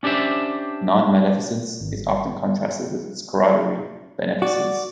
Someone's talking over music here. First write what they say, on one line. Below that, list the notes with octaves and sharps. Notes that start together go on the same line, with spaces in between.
Non-maleficence is often contrasted with its corollary, beneficence.
C#4 D4 G4 C5 E5
G#1
F#4 D5